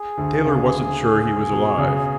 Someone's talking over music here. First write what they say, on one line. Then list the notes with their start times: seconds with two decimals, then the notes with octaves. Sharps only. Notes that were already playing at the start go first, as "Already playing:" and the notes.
Taylor wasn't sure he was alive.
Already playing: G#4
0.17 D2 D3
0.45 C#3
1.52 B2
1.78 C#3